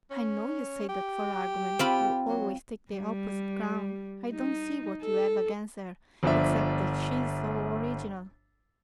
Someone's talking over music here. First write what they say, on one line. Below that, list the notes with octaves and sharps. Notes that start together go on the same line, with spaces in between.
"I know you say that for argument; you always take the opposite ground. I don't see what you've against her except that she's so original."
C#4
G4
C4 F4 B5
F#3
G3
D#4
A4
G1 F3 D4 E5